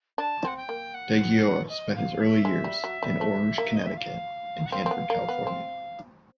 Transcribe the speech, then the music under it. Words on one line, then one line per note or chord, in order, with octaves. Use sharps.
DeGioia spent his early years in Orange, Connecticut, and Hanford, California.
D4 A5
C4 F#5
G5
A#3
F#5
D#5
F#5
F5
E5
G#3
G3
F#3
G3
A3
A#3
D#5
E5
F5
F#5
C4 F5
C4
B3
A#3
B3
C4